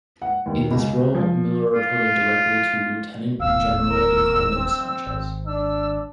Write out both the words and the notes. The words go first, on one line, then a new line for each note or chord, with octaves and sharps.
In this role, Miller reported directly to Lieutenant General Ricardo Sanchez.
F#5
D#2
C#2
F3
F4
D#1 A1 E2 F5 E6
A#4
C4
G#1
D4 E6